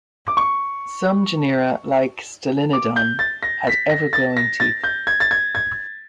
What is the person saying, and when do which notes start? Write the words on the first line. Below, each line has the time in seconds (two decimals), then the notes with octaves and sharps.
Some genera, like "Stylinodon", had ever-growing teeth.
0.28 D6
0.37 C#6
2.73 D6
2.96 G6
3.19 A6
3.43 A#6
3.67 B6
3.90 A#6
4.13 A6
4.37 A#6
4.60 A6
4.84 G6
5.07 G#6
5.20 A6
5.31 G#6
5.55 G#6